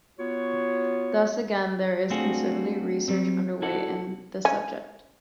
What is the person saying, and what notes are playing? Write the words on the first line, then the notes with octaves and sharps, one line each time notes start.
Thus, again there is considerable research underway in the subject.
B3 F4 F#4 C#5
A3 C4 D4 F4 F#4 G#4
F#3 G3 C4
E4 F#4 A4 F#5
C#4